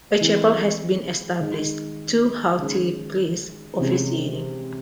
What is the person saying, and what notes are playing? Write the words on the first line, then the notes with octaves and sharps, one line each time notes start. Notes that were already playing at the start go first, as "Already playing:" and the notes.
A chapel has been established, two haughty priests officiating.
E3 G#3 C4 E4
D#3 G#3 D#4
D#3 G#3 C#4
C3 E3 G#3 C#4